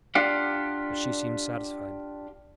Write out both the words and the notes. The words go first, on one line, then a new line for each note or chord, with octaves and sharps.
But she seemed satisfied.
D4 F4 G4 F5 F#5